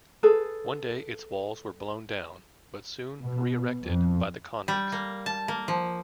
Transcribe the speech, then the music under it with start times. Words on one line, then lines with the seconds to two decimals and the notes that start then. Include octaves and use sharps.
One day its walls were blown down, but soon re-erected by the convicts.
0.23 G#4 A4 B4
3.21 B2
3.83 F2
4.68 G3
4.92 A#3
5.26 A5
5.48 A#3
5.68 F3